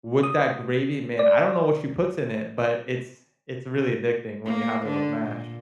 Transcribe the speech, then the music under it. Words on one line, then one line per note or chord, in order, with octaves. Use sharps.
With that gravy, man I don't know what she puts in it, but it's it's really addicting when you have it with mash.
D#6
D5
A#3
D3
A#2